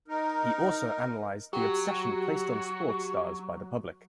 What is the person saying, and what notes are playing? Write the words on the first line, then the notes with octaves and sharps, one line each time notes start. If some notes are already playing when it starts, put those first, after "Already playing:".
He also analyzed the obsession placed on sports stars by the public.
D#4 A#4
F#3 F#4 G4